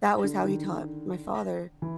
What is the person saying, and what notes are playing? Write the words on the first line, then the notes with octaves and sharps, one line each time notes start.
that was how he taught my father
D3
D#3
E3